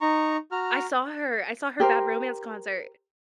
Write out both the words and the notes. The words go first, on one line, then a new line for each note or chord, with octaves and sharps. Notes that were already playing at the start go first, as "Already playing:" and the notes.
I saw her I saw her Bad Romance concert.
D#4 A#5 C#6
F#4 A#5 F6
G4 A#4 C5